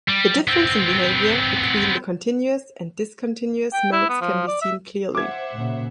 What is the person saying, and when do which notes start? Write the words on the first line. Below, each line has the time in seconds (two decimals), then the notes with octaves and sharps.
The difference in behavior between the continuous and discontinuous modes can be seen clearly.
0.08 G3
0.48 B3 C4
3.73 G5
3.92 E4
4.09 B3
4.21 F3
4.47 D5
4.62 E5
5.15 C5 E5 F#5 D6 G#6
5.53 A#2 C#3